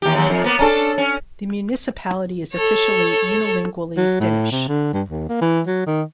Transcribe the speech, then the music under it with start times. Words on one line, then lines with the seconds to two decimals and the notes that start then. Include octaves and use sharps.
The municipality is officially unilingually Finnish.
0.02 D#2 G4
0.15 D#2 F#3
0.30 F2
0.44 A#3 B3
0.59 C#4 D4 A4
0.98 C#4
2.54 A4 C#5
3.97 F#3
4.20 A2
4.52 C3
4.68 D3
4.94 G2
5.09 D#2
5.29 A#3
5.41 E3
5.67 F#3
5.87 D#3